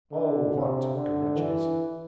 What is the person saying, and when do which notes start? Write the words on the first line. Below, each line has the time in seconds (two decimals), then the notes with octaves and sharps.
Oh, what grudges!
0.12 D3
0.53 C3
0.95 D3
1.36 E3